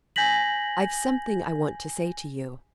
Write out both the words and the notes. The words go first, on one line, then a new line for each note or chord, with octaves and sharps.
"I've something I want to say to you."
G#5 G6 G#6 A#6 B6 F#7